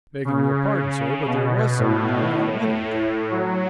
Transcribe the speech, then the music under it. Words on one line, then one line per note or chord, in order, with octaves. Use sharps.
'Begging your pardon, sir, but there was someone there not a minute ago.'
C#3
B2
A2
F#3